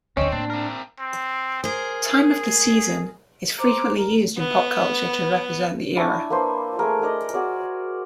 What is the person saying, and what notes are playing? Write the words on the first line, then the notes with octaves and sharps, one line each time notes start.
"Time of the Season" is frequently used in pop culture to represent the era.
D2 D3 C4 C#4 C#5 D#5 C#6
A2 A#3 D4
C4 A#4
C4
G#4 A#4 C5
C5 A#5 D6
A#4
B3
D4 E4 G#5 C#6
A#3 D4 B4 C5
A3 G#4 A#4
G#4 A#4 D5 D#5
F#4 G#4 D5